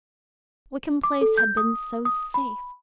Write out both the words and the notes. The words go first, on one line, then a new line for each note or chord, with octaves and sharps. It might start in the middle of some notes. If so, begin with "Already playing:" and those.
Wickham Place had been so safe.
D6
A4
G6
D#6
D#6
B5